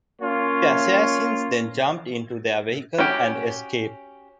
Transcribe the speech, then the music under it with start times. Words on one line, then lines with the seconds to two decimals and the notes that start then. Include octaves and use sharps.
The assassins then jumped into their vehicle and escaped.
0.20 A#3 C#4 F4 C#5
2.98 C#4 F#4 G4